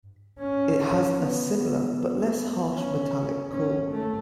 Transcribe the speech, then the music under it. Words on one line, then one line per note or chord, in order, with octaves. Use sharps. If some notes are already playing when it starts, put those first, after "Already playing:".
It has a similar but less harsh metallic call.
C#4
B3
B3
C#4
C#4
A3